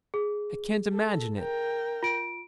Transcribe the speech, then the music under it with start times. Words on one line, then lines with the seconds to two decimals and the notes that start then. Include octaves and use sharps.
I can't imagine it.
0.14 G#4
0.93 A4
1.40 A#4 G5
2.03 F4 D7